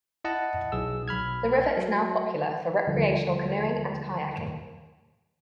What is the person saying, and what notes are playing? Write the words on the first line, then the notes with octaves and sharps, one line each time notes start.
The river is now popular for recreational canoeing and kayaking.
E4 D#5 F#5 A5
B1 G#4 E6
B1 B5 F6 G#6
F#3
D#2 D3 F3 G3 F4 A4